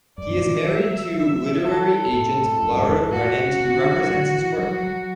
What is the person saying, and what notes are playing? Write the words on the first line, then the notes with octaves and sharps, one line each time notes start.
He is married to literary agent Laura Rennert, who represents his work.
F#2 D5
B2
A2
F#3 E5
F#3
E3 E5
F#3
E3
F#3
E3 A4
B2
A2
A2
F#2
G#2
E2
F#2
A2 F#4
B2
C#3
B2
D3
F#3
D3
E3
F#3 F#4
F#3